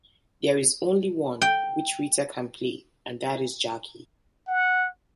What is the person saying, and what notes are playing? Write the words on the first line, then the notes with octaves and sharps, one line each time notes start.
There is only one which Rita can play, and that is Jacky.
G5
F#5